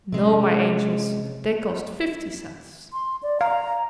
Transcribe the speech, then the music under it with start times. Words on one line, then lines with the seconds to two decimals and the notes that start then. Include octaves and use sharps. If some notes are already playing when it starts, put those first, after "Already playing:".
"No, my angels; they cost fifty cents."
0.12 C3 G#3 C#4
2.93 C6
3.23 D5
3.41 F5 A#5